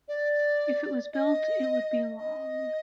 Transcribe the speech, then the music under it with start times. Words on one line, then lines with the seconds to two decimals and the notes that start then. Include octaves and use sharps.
If it was built, it would be long.
0.08 D5
1.13 D#5
2.18 D#5